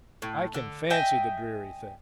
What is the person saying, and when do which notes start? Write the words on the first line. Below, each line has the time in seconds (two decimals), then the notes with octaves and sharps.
"I can fancy the dreary thing!"
0.22 A2
0.54 D3
0.90 D#5 E5 G5 G#5